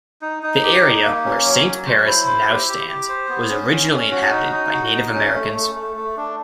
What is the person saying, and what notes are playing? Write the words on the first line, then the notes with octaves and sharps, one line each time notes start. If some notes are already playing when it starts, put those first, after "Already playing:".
The area where Saint Paris now stands was originally inhabited by Native Americans.
D#4
D#4
G4
D#4
A#3
C#4
F#3
F#3
C5
E4
C5
G4
G4
G4
C5
B3
C#4
C#4
C#4
F#4
D#4
D#4
F#4
D#4
C#4
A3
A3
A3
A3
D4